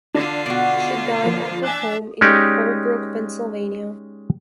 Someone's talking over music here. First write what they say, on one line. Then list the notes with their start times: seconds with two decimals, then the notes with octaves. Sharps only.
She died at her home in Colebrook, Pennsylvania.
0.14 D3 D4 F4
0.46 B2 F#4 D5
1.24 F3 A#3
1.63 D4 E5 G#5 F#6
2.21 G#3 C#4 D#4 G4 D5